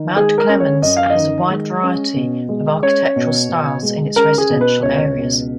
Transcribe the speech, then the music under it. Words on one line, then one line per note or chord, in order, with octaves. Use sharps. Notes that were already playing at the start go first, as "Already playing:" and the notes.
Mount Clemens has a wide variety of architectural styles in its residential areas.
Already playing: D#3
G#3 G#4
A#4
C#4
C#5
F#2 D#5
F5
D#5
D#3
G#3
C#4
B2
G#3
C#4 C#5
B2
B2
G#3
C#4 A#4
G#4
B2
B4
C#2 C#5
B2